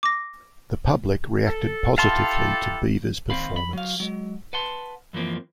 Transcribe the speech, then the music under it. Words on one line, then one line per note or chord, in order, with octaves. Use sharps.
The public reacted positively to Beavers' performance.
D6 A#6
A4
E4 G4 A4 F5 A5 C6
D#2 C4 F5 B5
B5
F#3 F5
F#3 G#3
B4 F#5 A5 C6
F#2 E3 F3 A#3 C4